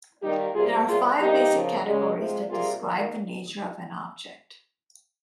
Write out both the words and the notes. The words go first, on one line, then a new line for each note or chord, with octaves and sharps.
There are five basic categories that describe the nature of an object.
D#3 G3 A#3 D#4 G4
C3 G3 A#3 F4 G#4
C3 G3 A#3 F4 G#4
C3 G3 A#3 D#4 G4
C#3 F3 A#3
C#3 G#3
C3 F3 G#3
C3 G3 A#3 F4 G#4
D#3 A#3